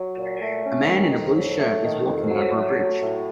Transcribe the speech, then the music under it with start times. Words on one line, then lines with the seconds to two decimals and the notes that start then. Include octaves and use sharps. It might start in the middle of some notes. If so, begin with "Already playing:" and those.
A man in a blue shirt is walking over a bridge.
Already playing: F#3
0.17 A#2
0.40 A3
0.64 C#4
0.87 D#3
1.11 F2
1.34 F#3
1.59 A3
1.82 D#3
2.06 F2
2.30 F#3
2.53 A3
2.77 F#3
3.00 A2